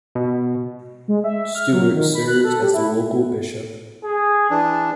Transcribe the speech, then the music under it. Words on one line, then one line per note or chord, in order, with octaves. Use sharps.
Stewart served as the local bishop.
B2
G#3
E5
F6
F#3
D#3
B5
F#6
A4
G3
E4
G#4
E3 D4 A5